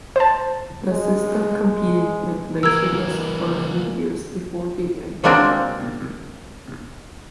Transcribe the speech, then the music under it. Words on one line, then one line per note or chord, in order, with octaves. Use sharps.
The system competed with Laserdisc for a few years, before being abandoned.
C5 A5
G#3
E3 A#3 A#4 E6 G#6
F#3 G#3 A#3 C4 D4